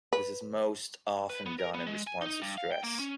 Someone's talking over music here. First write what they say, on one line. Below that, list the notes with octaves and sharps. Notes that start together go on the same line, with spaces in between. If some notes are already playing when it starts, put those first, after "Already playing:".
This is most often done in response to stress.
B4
B4
B3
A#4
B3
G#3
G#5
D#4
G2
F5
G5
A#3
C#4